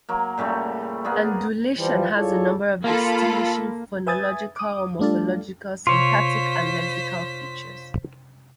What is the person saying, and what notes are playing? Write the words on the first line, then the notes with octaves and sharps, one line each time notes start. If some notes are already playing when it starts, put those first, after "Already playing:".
Andalusian has a number of distinguishing phonological, morphological, syntactic and lexical features.
F#3 A#3
A#2 C#3 G3 A3
A#3 B3 G#4 D5
E3 F3 G3
E4 F4 G#4 A4 C#5 D5
A#3 F4 A4 B5
B4 E5 G#5 D#6 G#6 A6
D6 D#6
G3 A3 D4 F4 A4
C3 F4 C5 C#5 C6 B6